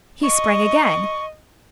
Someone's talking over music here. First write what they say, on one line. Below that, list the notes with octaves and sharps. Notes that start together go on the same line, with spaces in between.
He sprang again.
D#5 C#6